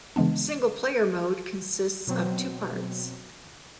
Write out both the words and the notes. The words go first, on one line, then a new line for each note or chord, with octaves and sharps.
Single player mode consists of two parts.
C#3 E3 G#3 B3 D4
B2 F#3 C4